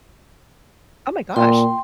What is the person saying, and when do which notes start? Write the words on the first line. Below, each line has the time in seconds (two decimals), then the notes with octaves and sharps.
Oh my gosh!
1.36 A#2 G5 C6